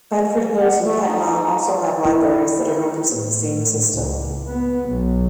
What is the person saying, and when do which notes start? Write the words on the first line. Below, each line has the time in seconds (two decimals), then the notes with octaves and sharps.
Bedford Hills and Katonah also have libraries that are members of the same system.
0.58 F#5
0.83 A3
1.06 D#4
1.63 F4
2.05 E4
3.15 A2
3.97 C#2
4.48 B3
4.90 B1